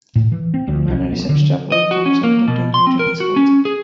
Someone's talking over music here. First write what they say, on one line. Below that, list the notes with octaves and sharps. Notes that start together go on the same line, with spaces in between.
In Mannerism, strapwork forms often terminated in scrolls.
A2
E3
C4
D2
B1
B3
D3
D#5
F#4
C#4
A#3
B2
C6
C4
A#4
F#4
C#4
G#4